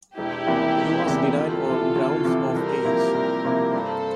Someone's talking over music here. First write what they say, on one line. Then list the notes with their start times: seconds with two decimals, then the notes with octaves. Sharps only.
He was denied on grounds of age.
0.17 E1 E4 G4
0.47 E2 C3 E3 A#3
0.77 E1
1.07 E2 C3 E3 A#3
1.36 D2 F4 A4
1.65 C3 E3
1.95 D2
2.24 C3 E3
2.55 C2 G4 A#4
2.84 C3 F3 A#3 E4
3.14 C2
3.44 C3 F3 A#3 E4
3.74 G2 A4 C5